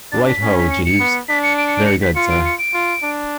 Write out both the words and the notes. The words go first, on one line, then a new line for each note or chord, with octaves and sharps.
'Right ho, Jeeves.' 'Very good, sir.'
D4 A6
B6
C#4
B6
C#7
C#7
B3
D4 B6
C#7
D7
C#7
D7
C#7
B6
F4 C#7
D7
C#7
D7
F4
D4